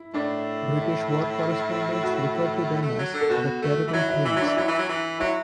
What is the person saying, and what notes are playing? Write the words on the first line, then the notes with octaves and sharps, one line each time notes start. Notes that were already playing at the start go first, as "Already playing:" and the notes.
British war correspondents referred to them as "the terrible twins".
Already playing: E4
A2 D4
E4
F#4
A3
F#3
D3
A4
B2 F#4
A3
E3
F#3 E4
E4
E3 E4
F#3
D4
E3
F#3 E4
E3
F#3
E3
F#3 E4